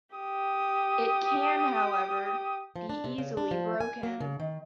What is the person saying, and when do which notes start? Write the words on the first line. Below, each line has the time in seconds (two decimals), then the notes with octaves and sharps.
It can, however, be easily broken.
0.16 G4 D#6
2.76 F3
2.90 D4
3.04 C3
3.18 C#3
3.37 D4
3.51 F3
3.81 G#5
4.03 A#3
4.20 C#3
4.40 D#3